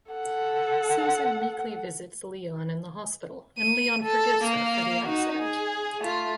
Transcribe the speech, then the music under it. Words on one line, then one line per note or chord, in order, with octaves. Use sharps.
Susan meekly visits Leon in the hospital and Leon forgives her for the accident.
A4 F#5
D#7
A4
A#3 F5
D#4 F#4
G#4
A3 F4